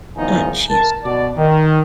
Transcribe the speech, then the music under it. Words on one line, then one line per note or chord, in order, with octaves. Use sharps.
Ah, jeez.
F#1 E2 D#3 F3 D#4 G#5
A#4 A5
B2 D5
D#3